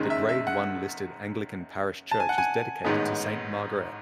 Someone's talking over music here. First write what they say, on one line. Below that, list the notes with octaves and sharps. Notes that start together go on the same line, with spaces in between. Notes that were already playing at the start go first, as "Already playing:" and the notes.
The Grade One listed Anglican parish church is dedicated to Saint Margaret.
Already playing: F#1 F#2 D#3 G#3
E5
E5
F#5
A5
G#5
F#5
G#5
A1 G#2 D#3 G#3 B3